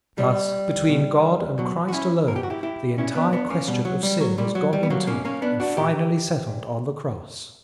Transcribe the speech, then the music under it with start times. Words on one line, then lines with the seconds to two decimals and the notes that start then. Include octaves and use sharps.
Thus, between God and Christ alone the entire question of sin was gone into, and finally settled on the cross.
0.18 A#2 G3
0.88 B2
1.58 B2 F#3
1.88 F#4
1.92 C#4 E4
2.28 B2 A#4
2.36 G4
2.43 F#4
2.50 E4 G4
2.63 E4 G4
2.98 A#2 C#4 E4
3.15 B3 D4
3.33 B3 D4
3.50 A#3 C#4
3.68 B2 G3
3.85 F#3
4.03 G3
4.21 F#3
4.38 A#2 G3
4.55 F#3
4.73 G3
4.83 B3
4.90 F#3 A#3
5.07 B2 A#3 C#4
5.25 A#3 C#4
5.42 B3 D4
5.60 D4 F#4
5.77 A#2 E4 G4
6.47 A#2